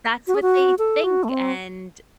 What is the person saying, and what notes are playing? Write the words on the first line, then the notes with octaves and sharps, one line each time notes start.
That's what they think. And,
F#4
G#4
F#4
A4
F#4
A3
C4